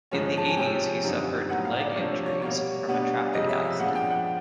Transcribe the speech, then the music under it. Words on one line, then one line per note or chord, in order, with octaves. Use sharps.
In the eighties he suffered leg injuries from a traffic accident.
G#2 F3 G#3 C#4
A5
G#5
C3 F3 G#3 C#4 G5
F#2 D3 G3 C4 D#4
A2 F#3 B3 F#5
F5
D5
D5
C3 F3 A#3 D4 C#5
C#5
B2 G3 A#3 C#5
B2 G3 B3 D4
F2 C3 F3 G#3 C#4 D#5
E5
F5
A#2 F3 G#3 B3 D4 F#5
G5
F#5